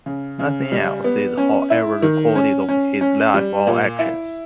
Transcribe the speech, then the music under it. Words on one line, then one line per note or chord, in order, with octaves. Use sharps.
Nothing else is however recorded of his life or actions.
C#3
C#3
G3
B3
C#4
E4
D#3
C#4
C#4
C#4
G3
A#2
E4